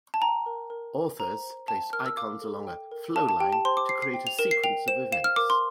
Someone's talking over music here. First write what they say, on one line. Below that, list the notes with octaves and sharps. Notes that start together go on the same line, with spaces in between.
"Authors" placed icons along a "flowline" to create a sequence of events.
A5
G5 A#5
A#4
A#4
A#4
C5 A#5
C5
G5 A5
A#4 F6
E6
F5 D6
A4
G5
A#4
F5 A5
A5
G4 G5
A5
C5 C6
D6
C5 C7
C7
G5
F7
A#4 E7
C7
G5 F7
C5 E7
F5 E7
F6
A#4 D6
C6